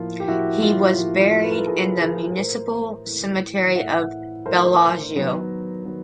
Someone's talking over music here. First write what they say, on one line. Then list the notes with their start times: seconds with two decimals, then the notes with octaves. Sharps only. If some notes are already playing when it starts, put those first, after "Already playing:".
He was buried in the Municipal Cemetery of Bellagio.
Already playing: A2 F3 A#3 F4
0.20 G4
0.28 A2 F3 A#3 E4 F#4
0.62 F4 G4
0.98 A2 F3 A#3
1.20 F4
1.44 B4
1.51 A#4
1.58 A4 B4
1.67 A2 F3 A#3 G#4 A#4
2.02 G#4 A#4
2.27 B4
2.36 A2 E3 A3 A#4 C5
3.06 A2 E3 A3
3.76 A2 E3 A3 E5 F#5
4.46 A2 E3 A3 A#4 C5
5.15 D#3 F#3 B3
5.85 D#3 F#3 B3